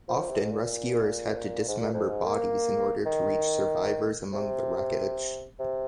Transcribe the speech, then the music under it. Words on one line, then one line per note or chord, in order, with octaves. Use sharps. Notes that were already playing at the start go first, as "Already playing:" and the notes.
Often, rescuers had to dismember bodies in order to reach survivors among the wreckage.
F3
C3
G#2
A#2
G#2
A#2
F2
G#2
A#3
D#3
C3
C3